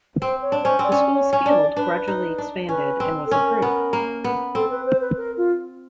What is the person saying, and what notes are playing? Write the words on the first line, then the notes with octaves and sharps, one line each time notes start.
The school's field gradually expanded and was improved.
C4 C5
C#5
D4
C#4 C5
C4 D5
C#4
C#5
C#4
D4 D5
D4 B4
D#4
D4
C#4 B4
C4
A4
C#4 A#4
B3
A#3
B3
C4 A4
B4
C5
B4
A#4
F4